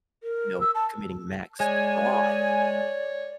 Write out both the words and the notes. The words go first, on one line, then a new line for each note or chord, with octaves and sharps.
you know, committing max fraud,
A#4
E6
A5
G#3 C#5 D5 G#5